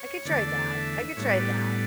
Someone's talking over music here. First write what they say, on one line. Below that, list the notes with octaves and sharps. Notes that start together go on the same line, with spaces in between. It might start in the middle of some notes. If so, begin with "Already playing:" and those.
I could try that, I could try that.
Already playing: C#5
E2 D3 A3 D4 D5
D5
E5
A2 G3 B3 D4 C#5
B4
G4